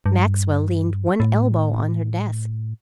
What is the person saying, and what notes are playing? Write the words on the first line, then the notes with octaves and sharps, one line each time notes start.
Maxwell leaned one elbow on her desk.
G2
A2